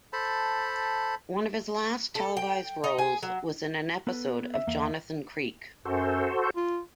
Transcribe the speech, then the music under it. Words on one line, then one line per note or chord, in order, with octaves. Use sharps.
One of his last televised roles was in an episode of "Jonathan Creek".
A4 C5 A5 B5
A4
G5
D#4
G#4
F#3
B3 A4 B4
E5
E2 A#3 F5
F#2 F#4 A4 C5
F4